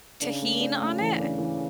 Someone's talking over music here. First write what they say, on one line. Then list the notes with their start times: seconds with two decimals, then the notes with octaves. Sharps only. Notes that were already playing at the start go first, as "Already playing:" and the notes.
tajin on it?
0.22 C#3 D4
0.42 A3
0.61 D4
0.81 A3
1.00 E3
1.19 D4
1.38 E3